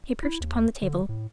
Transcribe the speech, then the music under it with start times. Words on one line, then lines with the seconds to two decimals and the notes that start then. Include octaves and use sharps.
He perched upon the table.
0.23 E4
0.41 D#2
0.82 D3
1.09 A2